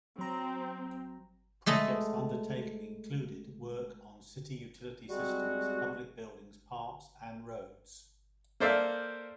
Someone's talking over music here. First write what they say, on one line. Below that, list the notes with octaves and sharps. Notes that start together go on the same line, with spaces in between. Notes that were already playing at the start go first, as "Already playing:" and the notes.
Projects undertaken included work on city utility systems, public buildings, parks, and roads.
F#3 C4 A#5
G#3 A3 A4 D#5
G3 G#3 C4 F#4
A#3 A4 C5 D5 E5 F5